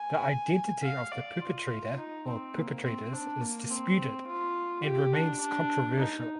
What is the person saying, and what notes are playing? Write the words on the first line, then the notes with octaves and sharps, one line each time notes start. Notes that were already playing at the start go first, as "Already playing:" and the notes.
The identity of the perpetrator or perpetrators is disputed and remains controversial.
Already playing: G#5
F5
D5
F4
D#4
C4
A#3
C4
D4
A#3
C4
F4
G4
D4
D4
D#4